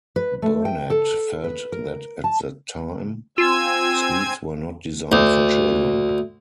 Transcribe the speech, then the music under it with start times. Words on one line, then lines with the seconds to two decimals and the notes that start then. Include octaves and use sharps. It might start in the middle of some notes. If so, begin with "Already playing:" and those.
Bernat felt that at that time, sweets were not designed for children.
0.16 B4
0.42 A3
0.65 G5
0.90 A4
1.44 B4
1.72 A#4
2.24 A5
3.38 C4 F4 G#5 E6 G#6
5.12 D2